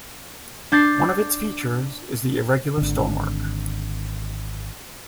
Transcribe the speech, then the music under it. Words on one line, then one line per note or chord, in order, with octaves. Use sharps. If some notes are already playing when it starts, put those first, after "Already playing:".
One of its features is the irregular stonework.
D4 G6 A6 C7
G#1 D3